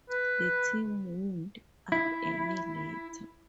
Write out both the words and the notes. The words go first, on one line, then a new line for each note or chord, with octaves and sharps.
The team wound up a year later.
B4
E4